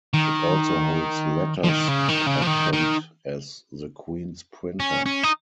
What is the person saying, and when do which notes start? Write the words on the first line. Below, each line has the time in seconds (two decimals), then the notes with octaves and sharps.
It also holds letters patent as the Queen's Printer.
0.14 D#3
1.64 F3
1.69 D#3
1.89 C#3
2.09 D#3
2.27 C#3
2.42 F3
2.47 D#3
2.73 D#3
4.80 C#4
5.06 C#4
5.23 D#4